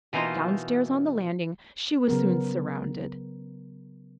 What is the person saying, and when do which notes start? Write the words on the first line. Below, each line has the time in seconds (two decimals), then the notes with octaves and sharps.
Downstairs on the landing she was soon surrounded.
0.13 B2 E3 A#3 D#4 F4 C5
2.08 C#3 F#3 B3 A#4